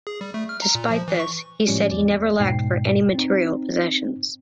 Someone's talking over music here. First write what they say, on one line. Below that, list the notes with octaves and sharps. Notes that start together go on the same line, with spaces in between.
Despite this, he said he never lacked for any material possessions.
G#4
G3
A3
F6
A#5
A#2
F3
E3
C#6
A2 F3 G3 G#3 C#4
E2 D5
E2 G#2 B2 G5 C7
C4 D#4